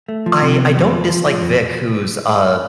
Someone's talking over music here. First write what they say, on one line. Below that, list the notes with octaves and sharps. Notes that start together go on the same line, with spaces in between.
I I don't dislike Vic who's, uh,
A3
F3
C3
B3
F2
F3
F3
F3
F2